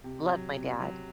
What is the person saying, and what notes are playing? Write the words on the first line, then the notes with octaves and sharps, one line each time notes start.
love my dad-
C3
F#3
C3
F#3